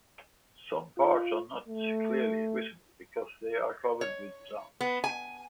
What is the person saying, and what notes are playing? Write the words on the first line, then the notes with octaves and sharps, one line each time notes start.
Some parts are not clearly visible because they are covered with plants.
F4
A3
C#5
B3
G#5